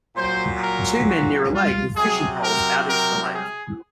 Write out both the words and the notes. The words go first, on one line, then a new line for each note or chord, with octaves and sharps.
Two men near a lake with fishing poles out into the lake.
A#2 F#3 C5
A#4
F#4
F4
C3 F#3 G#4
A#4
A#4
G#4